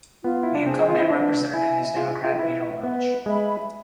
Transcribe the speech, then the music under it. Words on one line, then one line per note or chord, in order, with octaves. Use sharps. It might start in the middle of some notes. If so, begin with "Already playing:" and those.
The incumbent representative is Democrat Peter Welch.
B3 F4
E4
D4
C4 G#4 C5
F4
E4
D4 B4
E4 E5 G#5
F4 G#4
F4
E4 B4 E5
B3 B4
G#3 E5 B5